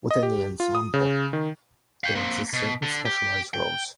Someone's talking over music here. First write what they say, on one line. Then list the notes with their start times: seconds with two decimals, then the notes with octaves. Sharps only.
Within the ensemble there exist certain specialized roles.
0.11 D#5
0.23 G4
0.60 F4
0.75 D#6
0.94 C#3
1.33 D#3
2.04 F5 G5
2.15 A#3 C4
2.53 B2
2.83 D3
3.05 G4
3.54 G5